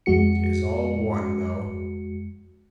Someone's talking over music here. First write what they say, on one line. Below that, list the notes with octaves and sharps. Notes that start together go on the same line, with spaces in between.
'Tis all one, though!
F2 G#3 F#4 C#7